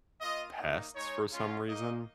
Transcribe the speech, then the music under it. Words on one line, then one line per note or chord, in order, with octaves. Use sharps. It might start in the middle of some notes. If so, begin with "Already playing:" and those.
pests for some reason.
A#3 F4 D#5
A#3 D#4
G#3 D#4 C#5
G#3 C#4 F4
A#3 D#4 D#5